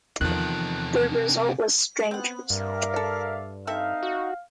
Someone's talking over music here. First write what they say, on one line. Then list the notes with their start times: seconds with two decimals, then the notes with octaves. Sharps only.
The result was "Strangers".
0.21 E2 C3 D#3 F3 A4 F#6
2.11 B3 C4 F#5
2.50 G2 A#4 D5 E5 F5
2.96 A4
3.67 C4 D#4 A4 E5 F5
4.03 F#4